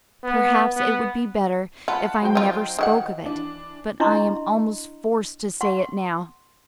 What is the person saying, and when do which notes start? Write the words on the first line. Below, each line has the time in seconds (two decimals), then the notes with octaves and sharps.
Perhaps it would be better if I never spoke of it; but I am almost forced to say it now.
0.24 B3
0.77 B3
1.88 F4 F#5 A5 B5
2.22 F#3 C5 G5
2.35 D#4 F4
2.79 D#3 G4 F#5
3.26 E3 D4
4.00 D4 E4 D#5 A#5 C6 C#6
5.61 F#5 C6 C#6